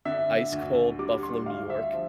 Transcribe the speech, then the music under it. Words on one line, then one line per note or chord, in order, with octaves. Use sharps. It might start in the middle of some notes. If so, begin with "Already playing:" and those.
ice cold Buffalo, New York.
D3 E5
D2
G3 D6
C6
D2 F5
E5
F3